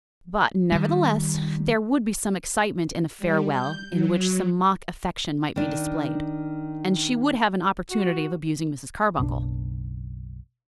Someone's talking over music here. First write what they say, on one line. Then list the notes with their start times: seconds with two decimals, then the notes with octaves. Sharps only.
But, nevertheless, there would be some excitement in a farewell in which some mock affection might be displayed, and she would have an opportunity of abusing Mrs. Carbuncle.
0.72 D#3 G3
3.18 G3
3.52 G6
3.90 F#3
5.56 D#3 D4
7.91 F#4
9.19 F#1 B1 C#3 D4